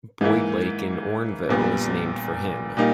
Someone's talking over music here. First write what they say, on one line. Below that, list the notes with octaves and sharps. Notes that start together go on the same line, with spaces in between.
Boyd Lake in Orneville is named for him.
G#2 E3 A#3 E4
A#1 A#2 G3 B3
A#2 G3 A#3 D#4